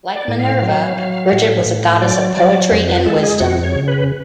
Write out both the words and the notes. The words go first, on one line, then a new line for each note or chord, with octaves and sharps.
Like Minerva, Bridget was a goddess of poetry and wisdom.
D5
A2
F5
F#3
F#3
A2
A2
F#3 D5
F#3 D5
F2
B4
G#3 A4
G#4
F2 F#4
C#5
C#3
B4